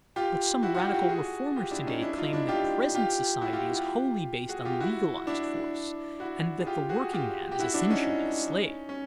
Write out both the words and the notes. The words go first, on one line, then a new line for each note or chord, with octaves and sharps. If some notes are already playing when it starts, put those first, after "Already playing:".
But some radical reformers to-day claim that present society is wholly based on legalized force, and that the workingman is essentially a slave.
F4 G4
E4 F#4
F#4
F4 G4
F4 G4
F#4 G#4
F4 G4
D4 E4
C#4 D#4
D4 E4
D#4 F4
D4 E4
F4 G4
F4 G4
E4 F#4
F4 G4
F4 G4
F#4 G#4
F4 G4
E4 F#4
D4 E4
E4 F#4
G#4
F4 G4
F#4 G#4
F4 G4
G4
E4 F#4
D4 E4
C#4 D#4
C#4